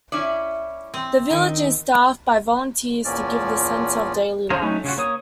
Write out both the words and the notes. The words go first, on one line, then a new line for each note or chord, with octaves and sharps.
The village is staffed by volunteers to give the sense of daily life.
C#4 E4 D5
C4
D#3
E2 A#2 F3 C#4 D5
C#4 G#4 C5 F5 A#5
F#3 A3 C#4 D#4
C#3 C#4 F4 F#4
A#3 C#5 D#6